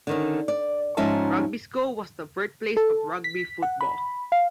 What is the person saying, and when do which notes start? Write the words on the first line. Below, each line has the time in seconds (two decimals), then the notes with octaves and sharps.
Rugby School was the birthplace of Rugby football.
0.07 D3 D#3 C#4
0.48 D5
0.97 G#2 F3 C#4 D#4 E5 A5
2.77 A4
3.24 B6
3.62 F#5
3.81 B5
4.32 F5